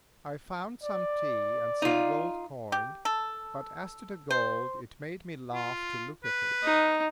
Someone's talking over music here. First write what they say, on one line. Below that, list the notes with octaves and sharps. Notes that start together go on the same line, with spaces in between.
I found some tea and some gold coin; but as to the gold, it made me laugh to look at it.
D5
D#4 F4
G4
A4
C5
F4
B4
D#4